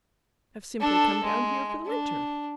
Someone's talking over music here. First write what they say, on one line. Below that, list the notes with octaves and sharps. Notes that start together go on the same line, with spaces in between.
I've simply come down here for the winter.
D4 A4
G#3
D4